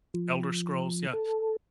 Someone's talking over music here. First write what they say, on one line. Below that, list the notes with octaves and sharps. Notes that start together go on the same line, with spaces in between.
Elder Scrolls, yeah.
F3
A4